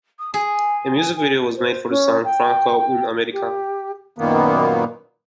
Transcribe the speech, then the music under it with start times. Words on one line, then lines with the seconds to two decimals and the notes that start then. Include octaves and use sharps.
A music video was made for the song, "Franco Un-American".
0.19 D#6
0.34 G#4 G#5
1.16 G#5
1.57 C5
1.89 C#4
2.24 G5
3.32 G4
4.18 F#2 A#2 D#3 A#3 B3